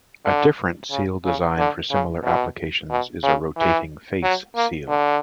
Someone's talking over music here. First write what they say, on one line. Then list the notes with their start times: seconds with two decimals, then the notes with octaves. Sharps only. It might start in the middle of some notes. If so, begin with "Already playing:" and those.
A different seal design for similar applications is a rotating face seal.
0.25 D3
0.91 C#3
1.25 C#3
1.58 D3
1.91 C#3
2.24 B2
2.90 B2
3.23 C#3
3.57 E3
4.23 F#3
4.56 A#3
4.89 D3